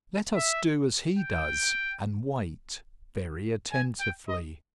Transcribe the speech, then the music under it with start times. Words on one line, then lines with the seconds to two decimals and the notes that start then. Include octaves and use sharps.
Let us do as he does and wait, very attentively.
0.36 E5
1.19 G5
3.72 G#5
4.00 G5
4.28 D#5